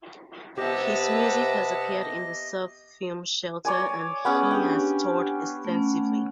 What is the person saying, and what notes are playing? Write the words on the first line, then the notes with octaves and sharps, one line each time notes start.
His music has appeared in the surf film "Shelter" and he has toured extensively.
C3 B3 G4 D#5 E5 A5
C#5 D5 G#5
B3 C#4 G#4
D4 G4 G5 G#5
A3 C#4